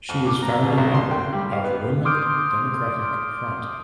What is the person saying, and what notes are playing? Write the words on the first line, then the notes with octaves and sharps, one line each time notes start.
She is founding member of Women Democratic Front.
F2
D6
A#5
B2
B1
C6
G5
G3
F5
B3
C6 D6 D#6 F6 G6 D7